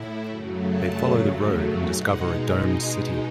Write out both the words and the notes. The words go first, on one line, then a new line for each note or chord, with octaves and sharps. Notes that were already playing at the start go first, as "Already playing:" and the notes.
They follow the road and discover a domed city.
Already playing: A2 E4
F#2 C#3 F#3 A3
A5
B2 G#3 D#4 F#5